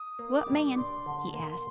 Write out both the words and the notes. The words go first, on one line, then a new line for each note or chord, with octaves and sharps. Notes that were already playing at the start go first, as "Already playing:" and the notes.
"What man?" he asked.
Already playing: D#6
A#3
D6
G3
D6
D4 C6
D3
A#3